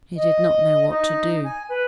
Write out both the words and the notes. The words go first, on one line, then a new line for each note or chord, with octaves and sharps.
He did not know what to do.
D#5
D#4
G#5
B4